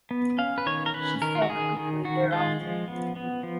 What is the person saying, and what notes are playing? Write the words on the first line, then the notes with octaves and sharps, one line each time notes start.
She sank quickly thereafter.
B3
C#4 F5
B4
D#3 C#5
A#4
C#4 B4
D#3 A#4
F4
F#4
D#3 G#4
D#3
D#3 F#4
G#3 F4
F3
B3
B3
F3